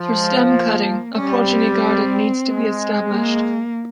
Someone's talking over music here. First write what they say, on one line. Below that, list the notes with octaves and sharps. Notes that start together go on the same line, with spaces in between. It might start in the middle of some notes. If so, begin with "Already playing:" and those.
For stem cutting, a progeny garden needs to be established.
Already playing: F3
G#3
A#3
G3 C#4
C4
G#3
A#3